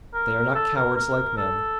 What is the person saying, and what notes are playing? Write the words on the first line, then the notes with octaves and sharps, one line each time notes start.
They are not cowards, like men.
A#4
A4
A#4
A#4
A4